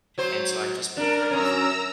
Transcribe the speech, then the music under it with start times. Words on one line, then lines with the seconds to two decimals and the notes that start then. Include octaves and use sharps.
and so, I've just been kind of
0.18 F#3 C5
0.97 D4 A#4
1.31 F#2 C#4 A#5 E6